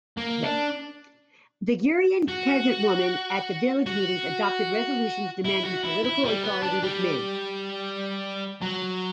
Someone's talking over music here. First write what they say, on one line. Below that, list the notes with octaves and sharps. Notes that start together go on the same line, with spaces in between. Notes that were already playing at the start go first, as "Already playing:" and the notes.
The Gurian peasant women at village meetings adopted resolutions demanding political equality with men.
A#3
D4
F#4
F#4
E4
F#4
E4
E4
G3
B3
D4
G3
F#3